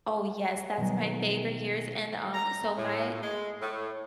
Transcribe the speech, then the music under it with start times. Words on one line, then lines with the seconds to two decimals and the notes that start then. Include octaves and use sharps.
Oh, yes, that's my favorite years and, um, so my
0.77 B2 D#3 F#3 G3 A#4
2.34 A#5
2.77 A2
3.22 G#3
3.62 A2